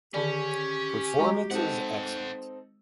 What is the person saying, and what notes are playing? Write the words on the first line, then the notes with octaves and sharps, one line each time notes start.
Performance is excellent.
D3 D#3 C#4 G4 D5
G#3 F#4 D#5 A#5 C#6
C4 D#4 A4 C5 F#5